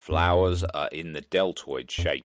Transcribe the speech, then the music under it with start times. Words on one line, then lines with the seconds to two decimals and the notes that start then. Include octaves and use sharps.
Flowers are in the deltoid shape.
0.11 F2
1.98 F2